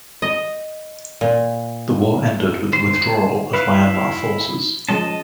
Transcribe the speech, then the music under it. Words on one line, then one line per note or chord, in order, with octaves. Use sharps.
The war ended with the withdrawal of Myanmar forces.
D#5
A#2
C5
E4 B4 F5
F3 G#3 C#4 D#5 A5